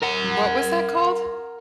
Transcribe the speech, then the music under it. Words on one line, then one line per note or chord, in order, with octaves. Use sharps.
What was that called?
A#4 F#5